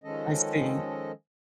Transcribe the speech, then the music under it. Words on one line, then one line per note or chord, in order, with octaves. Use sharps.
I see.
D#3 F3 G#3 C#4 A4 D#5